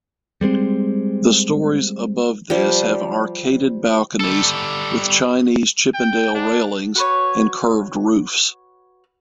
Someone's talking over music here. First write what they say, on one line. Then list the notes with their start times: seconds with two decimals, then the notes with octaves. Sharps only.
The storeys above this have arcaded balconies with Chinese Chippendale railings and curved roofs.
0.41 G3 G#3 A#3 C4
2.50 F3 G3
4.20 G3 A4
5.94 G5
6.35 D4
6.95 F#4 B4 C#5